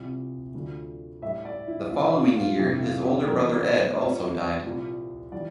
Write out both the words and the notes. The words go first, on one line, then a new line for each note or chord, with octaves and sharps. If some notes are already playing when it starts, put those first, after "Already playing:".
The following year his older brother Ed also died.
Already playing: C2 C3 F3
D2 D3 F3
A2 G3 E5
D5
E4
C2 A#2 F3 F4
F4
F4
F2 C3 F3 E4
F4
G4
G2 E3 G3 A#4
G2 F3 C5
C2 A#2 F3
E3 G3 D5